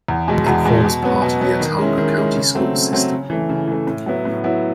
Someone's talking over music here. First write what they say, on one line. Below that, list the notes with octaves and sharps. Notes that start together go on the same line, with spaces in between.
It forms part of the Autauga County School System.
E2
B2 G#3
E2
B2 G#3
B2
F#3 B3
B2
F#3 B3
D#3
G#3 C#4 E4
D#3
G#3 C#4 E4
C#3
F#3 A3 C4
C#3
F#3 A3 C4
C#3
E3 A3
C#3
E3 A3
A2
F#3 B3 E4
A2
F#3 B3 E4